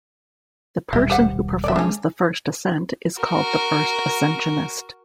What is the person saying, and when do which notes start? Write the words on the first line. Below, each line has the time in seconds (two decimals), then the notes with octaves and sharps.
The person who performs the first ascent is called the first ascensionist.
0.93 D#1 B1 G3 E4
1.10 G4 C5 F#5
1.64 D5 E5
1.76 G#3 C#4 D4
3.21 F#4 A#4